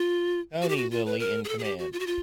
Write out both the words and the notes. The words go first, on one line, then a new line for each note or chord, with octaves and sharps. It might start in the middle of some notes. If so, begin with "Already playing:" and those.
"Tony" Lilly in command.
Already playing: F4
F#4
G4
F#4
F4
B4
A#4
G#4
A4
G#4
G4
F#4
F4
F#4
F4